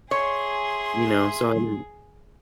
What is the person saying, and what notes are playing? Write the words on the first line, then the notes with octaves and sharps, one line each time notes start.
you know, so I'm
G#4 C#5 E5 G#5 C6